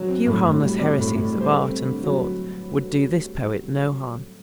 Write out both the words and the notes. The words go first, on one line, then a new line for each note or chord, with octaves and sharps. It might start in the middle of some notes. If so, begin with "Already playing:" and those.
A few harmless heresies of art and thought would do this poet no harm.
Already playing: F#3
C4
A2
A2
G3
C4 D5
A2
A2
G3
C5
A3 B4
C4
D3
F#3